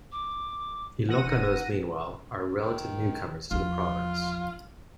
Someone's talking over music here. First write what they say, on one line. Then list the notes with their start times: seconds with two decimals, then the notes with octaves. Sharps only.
Ilocanos meanwhile, are relative newcomers to the province.
0.12 D6
1.09 E3 F#5 A#6 D#7
1.25 E1 D#4
2.61 D#3
3.51 E2 F3 F4